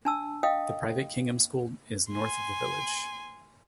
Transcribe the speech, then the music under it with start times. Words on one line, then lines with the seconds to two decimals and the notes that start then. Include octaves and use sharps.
The private Kingham Hill School is north of the village.
0.05 D4 A5 E6
0.43 D#5 F5 G5 D#6
2.10 G#5 C6